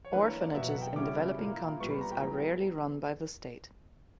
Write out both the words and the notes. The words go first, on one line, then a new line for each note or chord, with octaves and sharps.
Orphanages in developing countries are rarely run by the state.
C#5
E3 A#3 D4 B4
C#5
D5
B2 F#3 B3 E5
F#5
G5
C#3 G3 C#4 E4 D6
A#2 A#3 E4
A#2 G3 B3 C#6
B5
A#5
G5
E3 G3 B3 A#5